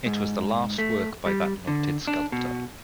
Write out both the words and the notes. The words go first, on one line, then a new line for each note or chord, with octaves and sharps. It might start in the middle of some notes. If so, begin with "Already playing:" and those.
It was the last work by that noted sculptor.
G#2
A3
G3
D3
D4
B2